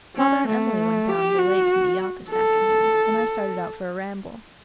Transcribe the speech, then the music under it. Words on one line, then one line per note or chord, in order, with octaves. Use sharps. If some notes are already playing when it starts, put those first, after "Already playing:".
Father and Emily went down the lake in the yacht this afternoon and I started out for a ramble.
C#4
A3
G4
F#4
A4